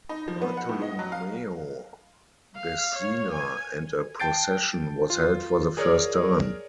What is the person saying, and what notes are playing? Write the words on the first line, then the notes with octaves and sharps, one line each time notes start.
Bartolomeo Bezzina and a procession was held for the first time.
D#4
F3
B3
F#5
A2
D#5
F#3
F5
F5
C#5
G#5
G5 A5 G6 A6 C7 D7
F4
G#4 A#4 C#5 D5